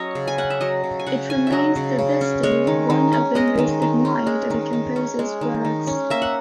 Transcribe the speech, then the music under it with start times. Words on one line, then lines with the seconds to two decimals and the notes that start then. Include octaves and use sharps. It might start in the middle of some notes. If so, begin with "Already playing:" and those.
It remains to this day one of the most admired of the composer's works.
Already playing: F#3 C#4 C#5 D#5
0.15 C#3
0.27 G#5
0.38 C#4 F#5
0.50 E5
0.61 F#3 D#5
0.84 C#3
0.99 G#5
1.06 C#3 F#5
1.30 C#4 G#5
1.47 E5
1.52 F#3 D#5
1.76 C#3
1.99 C#3
2.21 C#4
2.43 G#3 C#5
2.67 D#3
2.90 D#3
3.13 C#4
3.35 G#3 D#5
3.59 D#3
3.82 D#3
4.05 C#4
4.27 G#3
4.50 D#3
4.73 D#3
4.96 C#4
5.19 G#3
5.41 D#3
5.65 D#3
5.87 C#4
6.10 A#3 E5
6.22 F#5